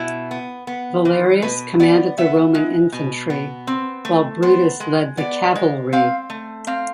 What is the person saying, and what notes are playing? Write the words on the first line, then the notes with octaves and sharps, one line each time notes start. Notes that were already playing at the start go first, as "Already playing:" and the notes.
Valerius commanded the Roman infantry, while Brutus led the cavalry.
Already playing: B2 E4
B3
B3
E3
B2 B4
B3 D5
B3 E5
G#3
B2
B3
C4
A3
B3 C5
G#3
B3 D5
G#3
C4 F5
A3
C4 F5